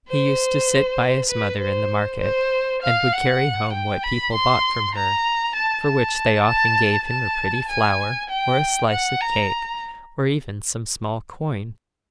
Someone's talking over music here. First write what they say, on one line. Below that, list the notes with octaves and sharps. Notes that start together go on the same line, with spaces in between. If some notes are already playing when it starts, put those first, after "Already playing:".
He used to sit by his mother in the market and would carry home what people bought from her, for which they often gave him a pretty flower, or a slice of cake, or even some small coin.
C5
B4
C5
C5
F5
F#5
G5
B5
C6
A#5
A5
A5
A5
A5
G#5
G5
F#5
A#5